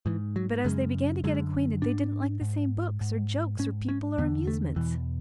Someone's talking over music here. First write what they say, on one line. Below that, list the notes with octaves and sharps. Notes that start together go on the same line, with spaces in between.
But as they began to get acquainted, they didn't like the same books or jokes or people or amusements.
G#2 E3
F#3
F#2 C#3 G#3
F#2 D3 G#3
G#2 D4
G#2
G#2
G#2 C#4
C#4
E2 D3 B3
A3
E2 B2 E3